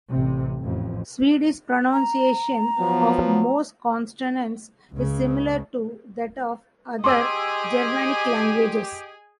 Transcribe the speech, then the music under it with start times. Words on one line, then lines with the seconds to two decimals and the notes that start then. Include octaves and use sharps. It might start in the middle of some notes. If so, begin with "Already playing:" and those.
Swedish pronunciation of most consonants is similar to that of other Germanic languages.
0.10 A1 C3
0.63 A1 F2
1.93 A#5
2.78 F3 F#3 B3
4.93 C#2 C#3
7.04 G4 G#4 D#5 G#5 C6 D6 E6